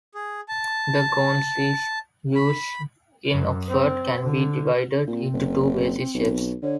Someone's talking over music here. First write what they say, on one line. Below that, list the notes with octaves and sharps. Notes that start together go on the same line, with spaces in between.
The gowns in use in Oxford can be divided into two basic shapes.
G#4
A5
B5
F#2
C4
D3
A#2 C4
F#1
B1
D3 C#5